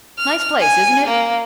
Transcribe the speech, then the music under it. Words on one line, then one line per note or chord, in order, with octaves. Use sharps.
Nice place, isn't it?
F6
G#5
A#3